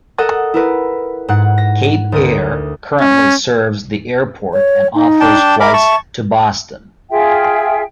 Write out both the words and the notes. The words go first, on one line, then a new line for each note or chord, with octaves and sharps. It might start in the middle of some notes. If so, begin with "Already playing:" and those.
Cape Air currently serves the airport and offers flights to Boston.
A4 A#4 D#5 F#5
E4 A#4 B4
G#2 F#5
A#6
D2 A#4 D#6
C#4
C#5
D#4
D4 G5 A5
A#4 E5 B5 D6
A5 C#6
F4 G#4 E5 G5